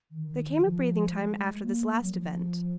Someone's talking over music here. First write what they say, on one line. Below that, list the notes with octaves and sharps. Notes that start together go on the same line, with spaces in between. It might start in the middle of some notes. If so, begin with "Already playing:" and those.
There came a breathing-time after this last event.
D#3
D#3
D#3
F3
G#3
G#3
G#3
A#3
F#3
F3